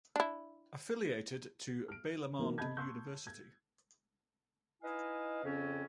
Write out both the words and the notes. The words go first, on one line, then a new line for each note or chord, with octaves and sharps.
Affiliated to Balamand University.
D4 E4
F6 D7
E3 F#3 A#3 D#4 A#4
C3 D#5 A5 B5 G6 G#6
A5 C6 C#6 E6 F#6 G6
G#6
D#4 E4 B4 D#5 F5 G#5
F2 C#3 C4 C#4